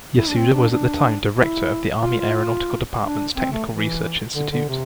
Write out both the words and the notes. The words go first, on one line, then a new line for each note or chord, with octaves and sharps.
Yasuda was at the time director of the Army Aeronautical Department's Technical Research Institute.
E4
D4
C4
D4
D4
E4
F4
F4
D4
C4
A3
E3
D3
D3
C3